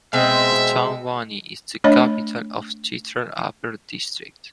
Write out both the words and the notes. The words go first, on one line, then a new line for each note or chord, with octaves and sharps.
The town Buni is the capital of Chitral Upper district.
B2 G#3 C4 E5
A3 D4 C#5 D#5 B5